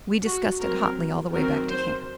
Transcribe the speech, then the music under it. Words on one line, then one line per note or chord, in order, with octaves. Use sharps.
We discussed it hotly all the way back to camp.
F#4
F#3 C4 A#4
D#3 F#3 C4 A#4
C5